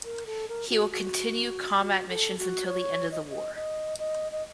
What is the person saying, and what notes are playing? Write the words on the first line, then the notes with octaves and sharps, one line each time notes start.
He will continue combat missions until the end of the war.
A#4
A4
A#4
F#4
F#4
F#4
A4
F#4
C#5
D#5
D#5
D#5
D#5
D#5